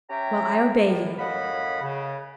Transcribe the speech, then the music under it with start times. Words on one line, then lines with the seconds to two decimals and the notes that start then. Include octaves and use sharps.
"Well, I obey you."
0.10 C#4 G4 E5 G5 A#5
0.85 A2
1.19 F#2 A2 D#5 F5 F#5 B5
1.82 C#3